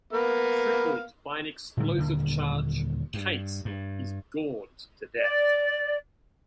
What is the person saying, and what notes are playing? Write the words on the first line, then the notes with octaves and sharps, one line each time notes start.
Crippled by an explosive charge, Kate is gored to death.
A#3 B3 F5
A2 D3 G3 G#3
D#1 D3 A#3
G2
G2
D5